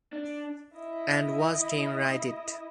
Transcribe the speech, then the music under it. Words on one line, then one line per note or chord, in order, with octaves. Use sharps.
And watched him write it.
D4
E4 D#5